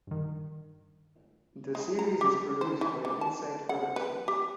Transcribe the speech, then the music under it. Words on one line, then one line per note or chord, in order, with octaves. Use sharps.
The series is produced by Insight Productions.
G2 D#3
G#3
A#5
G4
C5
E3
D3
A5
F#5
B4
G4